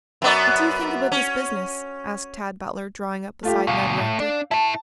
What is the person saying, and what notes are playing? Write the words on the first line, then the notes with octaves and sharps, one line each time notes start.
"What do you think about this business?" asked Tad Butler, drawing up beside Ned Rector.
F#2 B3 D5
C#4
A3 F4 G4
D2 B2 F5
A2
D4
E4 A4 A5